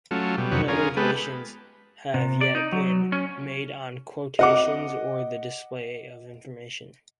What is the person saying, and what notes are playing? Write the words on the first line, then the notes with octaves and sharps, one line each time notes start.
No regulations have yet been made on quotations or the display of information.
F#3 A3 C#4 F4
B2 G3
F2 C3 D#3 F#3 B4 C#5
C#4 F4 G#4 A#4
G#3 B3 G4 A4 B4
C3
D5
D#4
F#3
C#4
D#5 F#5 D6